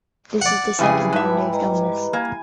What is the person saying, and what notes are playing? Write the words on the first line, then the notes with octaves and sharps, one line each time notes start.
This is the second time they've done this.
D5 F#5
F2 C#3 E3 G3 G#4
G#2 B4 E5 A5
B4 D#5 A#5
A#3 G#5